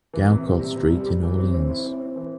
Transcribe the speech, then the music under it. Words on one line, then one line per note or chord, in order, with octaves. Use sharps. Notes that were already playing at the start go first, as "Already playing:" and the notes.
Gaucourt street in Orleans.
E3
C3
G3
C3
C3
G3
G3
E3
C4
C4
E4
C4
C4
E3